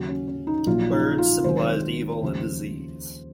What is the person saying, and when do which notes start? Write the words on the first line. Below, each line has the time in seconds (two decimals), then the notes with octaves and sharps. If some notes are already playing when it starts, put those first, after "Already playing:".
Birds symbolized evil and disease.
Already playing: D#2 C#3 F#3 F#4
0.09 C#4
0.28 C#4
0.47 D#4
0.67 A#1 A#2 F#3 F4
0.92 D#4
1.18 F4
1.44 C#2 C3 D#3 F#3 C5
2.22 D#2 C#3 F3